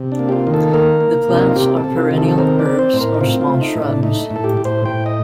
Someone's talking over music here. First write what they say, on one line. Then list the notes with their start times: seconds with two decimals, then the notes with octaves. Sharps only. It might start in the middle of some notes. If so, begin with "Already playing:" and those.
The plants are perennial herbs or small shrubs.
Already playing: C3
0.12 D4
0.19 A#3
0.29 G4
0.32 F4
0.47 D#3
0.54 A4
0.73 A#3 A#4
1.01 A#3
1.29 C3
1.34 D4
1.42 D#4
1.49 F4
1.56 C3 G4
1.77 A4
1.84 C3
1.97 F4
2.11 D#3
2.17 A4
2.29 A4
2.38 C4 A#4
2.59 D5
2.66 C4
2.79 C5
2.93 A2
3.01 A#4
3.14 D#4
3.21 C4 F4
3.41 F4
3.48 A3
3.61 D#4
3.75 A2
3.82 D4
4.03 A3 D#4
4.31 A2
4.36 A4
4.44 G4
4.57 A2
4.65 C5
4.85 A2 G5
5.06 D#5